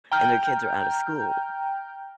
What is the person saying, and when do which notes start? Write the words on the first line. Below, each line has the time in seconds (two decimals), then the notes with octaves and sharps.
and their kids are out of school,
0.12 G5 A#5 F6 G6